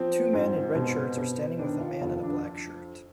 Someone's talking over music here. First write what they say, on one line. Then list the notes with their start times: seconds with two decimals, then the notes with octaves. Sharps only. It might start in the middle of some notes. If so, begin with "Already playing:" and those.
Two men in red shirts are standing with a man in a black shirt.
Already playing: F3 C4
0.33 G#2
0.75 B2
1.17 B2
1.59 D#3 D4
1.80 F4
2.02 F2 F4
2.23 D4